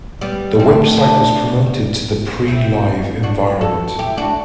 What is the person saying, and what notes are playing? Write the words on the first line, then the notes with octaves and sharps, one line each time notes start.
The website was promoted to the pre-live environment.
G3 B3
A3 C4
B3 D4
C4 E4
D4 F#4
F#4 A4
E4 G4
D4 F#4